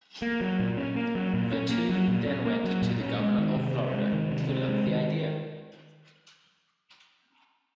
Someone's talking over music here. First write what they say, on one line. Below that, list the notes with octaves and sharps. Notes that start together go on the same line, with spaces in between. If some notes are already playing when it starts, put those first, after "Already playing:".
The two then went to the Governor of Florida, who loved the idea.
A#3
F#3
A#2
C#4
A#3
F#3
A#2
C#4
A#3
F#3
A#2
C#4
A#3
F#3
A#2
C#4
G#3
D#3
C3
C4
G#3
D#3
C3
C4
G#3
D#3